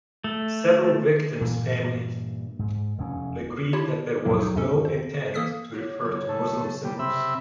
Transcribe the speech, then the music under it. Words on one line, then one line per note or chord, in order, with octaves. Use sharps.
Several victims' families agreed that there was no intent to refer to Muslim symbols.
A3
G2 A#2 E3
G#2
F1 E2 C4 C#4
E4 F4 G4 C#5 A5
D#2 G#2 B2 F3 F#3 A#3
F#3 D#4
E2 G2 C3 G#3 C#4 A4
C5
E3 A#3 A4 D#6 F6 B6
F#4 G4 C#5
F#1 C#3 C#5
A3
G3
C3 E5 B5